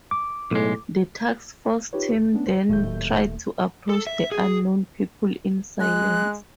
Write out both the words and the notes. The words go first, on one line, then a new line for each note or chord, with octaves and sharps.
The task force team then tried to approach the unknown people in silence.
D6
B1 A2 G#3
D#4 F4 G4 B4 C#5
D2
A3 B3 C#4 D4
C#2 C5
D#1 D#2 A2 F#3 A3 G6
A4
E5
G#4
G#3 F#6